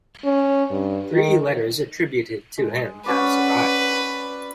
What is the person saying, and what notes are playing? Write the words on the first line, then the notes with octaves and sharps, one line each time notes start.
Three letters attributed to him have survived.
C#4
G2
D#3
G#3
C#4 F#4 B4 D5